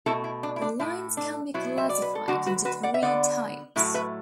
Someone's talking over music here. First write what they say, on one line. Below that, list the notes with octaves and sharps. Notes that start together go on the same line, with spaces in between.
The lines can be classified into three types.
B2 A3 E4 A4
E4
D4
E4
D4
A2 A3 E4
D4
B2 F#3 B3 E4
E5
D5
B4
A4
D3 F#3 A3 D4 F#4
F#4 B4
F#4 B4
D5 F#5
E5
D3 B3 D5 F#5
A2 F#3 A3 E4
B4 E5